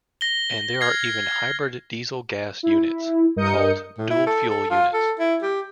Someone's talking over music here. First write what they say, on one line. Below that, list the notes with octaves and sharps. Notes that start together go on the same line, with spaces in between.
And there are even hybrid diesel-gas units, called dual-fuel units.
A#6 G7
F6 G#6 C7
E4
G2 A#4 D#5 D#6 G6 C#7
A2
E4
A4
A4
F4
A4
E4
G4